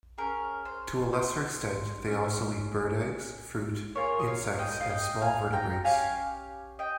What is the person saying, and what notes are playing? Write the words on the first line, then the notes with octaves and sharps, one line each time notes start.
To a lesser extent, they also eat bird eggs, fruit, insects, and small vertebrates.
C#4 G#4 A#4
C5
C5
C#4 G#4
A#3 F4 G#4 A#4 C#5
D#5
C#5 F5
D#5 G5
F5
D#5 G5
F5 G#5
G5 A#5
C#4 G4 F5 G#5
D#5 G5